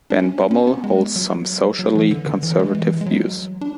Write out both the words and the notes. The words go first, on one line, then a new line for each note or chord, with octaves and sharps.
Van Bommel holds some socially conservative views.
D4
C#4
C#4
B3
G#3
F#3
F#3
E3
D3
D3
E3
G#3
E3
G#3
F#3
D4